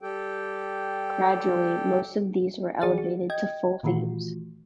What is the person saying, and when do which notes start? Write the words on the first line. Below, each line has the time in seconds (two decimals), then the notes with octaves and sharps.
Gradually, most of these were elevated to full themes.
0.01 G3 G4 A4 G5
2.82 E3 F#4 G#4 D5 F5 A6
2.98 F#4
3.30 D#5 G5 G#6
3.83 A#2 D#3 E3 A3 F4 F#4